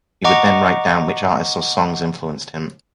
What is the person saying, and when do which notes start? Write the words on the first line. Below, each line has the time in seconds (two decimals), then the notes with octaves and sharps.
He would then write down which artists or songs influenced him.
0.24 D#5 F#5 A#5 C#6 D6